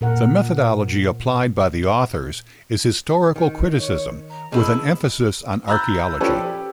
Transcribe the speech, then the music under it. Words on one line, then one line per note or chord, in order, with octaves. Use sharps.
The methodology applied by the authors is historical criticism with an emphasis on archaeology.
A#2 A#4 F#5
D#3
C#5
A#5
B2 D#3 E4 G#4 A5
A#5 B5 E6 F#6 G6 A6
F3 C#4 G4 A4 B4 D5
G4